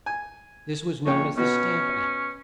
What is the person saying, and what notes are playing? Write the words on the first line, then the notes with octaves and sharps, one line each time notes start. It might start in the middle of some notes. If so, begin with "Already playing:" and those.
This was known as the Stamp Act.
G#5
A#1 C#4 C#5 G5
B2 B3 C#4 F#4